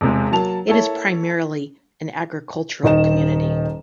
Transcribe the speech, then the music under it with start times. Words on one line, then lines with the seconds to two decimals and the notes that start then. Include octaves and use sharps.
It is primarily an agricultural community.
0.01 E1 C3 G#3
0.32 F#3 A#3 A5 F7
0.68 A#3 E4 A4 C#5
2.83 D#1 D#3 D#5 E7